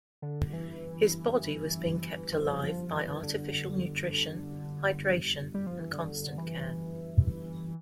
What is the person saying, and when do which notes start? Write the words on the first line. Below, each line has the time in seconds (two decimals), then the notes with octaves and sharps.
His body was being kept alive by artificial nutrition, hydration and constant care.
0.22 D3
0.53 E3
2.32 F3
2.63 F3
2.93 E3
3.23 D3
5.54 G3
5.67 F3
5.79 E3
5.93 D3
6.38 E3